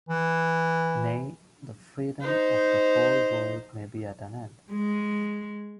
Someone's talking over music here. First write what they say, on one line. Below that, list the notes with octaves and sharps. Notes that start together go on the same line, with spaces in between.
Nay, the freedom of the whole world may be at an end!
E3
D#4 C5
G#3